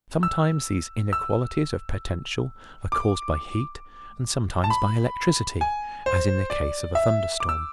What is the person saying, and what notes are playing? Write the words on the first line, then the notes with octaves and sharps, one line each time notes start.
Sometimes these inequalities of potential are caused by heat and sometimes by electricity, as in the case of a thunder-storm.
E6
E6
D6
A5
B5
G#5
C5
D5
E5
D6
E6